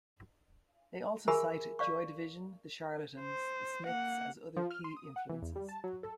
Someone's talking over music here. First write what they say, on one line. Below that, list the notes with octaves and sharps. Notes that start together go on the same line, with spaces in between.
They also cite Joy Division, The Charlatans, The Smiths as other key influences.
G4 G#4 A#4 E5 G#5 B5
D5 F5 C#6
C5
A#3 F#5
F3
F6
C6
D#6
F#5
E3
E2
G3
A5
F#3
A4